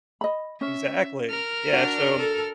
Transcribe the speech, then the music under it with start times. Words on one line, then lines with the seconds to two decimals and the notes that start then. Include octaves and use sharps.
Exactly. Yeah, so
0.21 D#5 B5
0.61 C#4 E5
1.30 A#4 F6
1.73 D4 F#4
2.18 A4